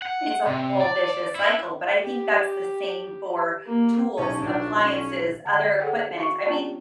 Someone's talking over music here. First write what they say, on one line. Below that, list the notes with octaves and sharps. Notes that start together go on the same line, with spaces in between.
it's a whole vicious cycle, but I think that's the same for tools, appliances, other equipment, I mean,
F#5
C3
D5
E4
G4
A#3
B1 C#4 G4 A5
B1 B2 D4 F4
C#4
D3 F#5 B5
G#4 A4 C#5 F#5 G5
F#4 F5 C#6
B3 C#4 D4 F4 C#5 D5